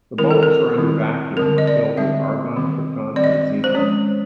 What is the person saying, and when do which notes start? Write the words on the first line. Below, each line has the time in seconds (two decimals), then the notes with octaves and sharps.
The bulbs are under vacuum or filled with argon, krypton or xenon.
0.18 D#3 G3 C4 E4 A#4
0.31 A4
0.43 A#4
0.78 D#3 G3 C4 E4
1.37 D3 G3 C4 A#4
1.58 D#5
1.67 D5
1.97 D3 G3 C4 E5
2.56 D#3 G3 C4
3.16 D#3 G3 C4 D5
3.24 D#5
3.32 D5
3.64 C5
3.75 F3 G#3 C#4 C#5